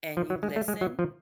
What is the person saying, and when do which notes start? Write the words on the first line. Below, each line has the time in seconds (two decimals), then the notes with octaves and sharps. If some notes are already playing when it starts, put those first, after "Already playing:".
and you listen
0.17 F3
0.30 F#3
0.43 G#3
0.56 A3
0.68 G#3
0.81 F#3
0.99 F3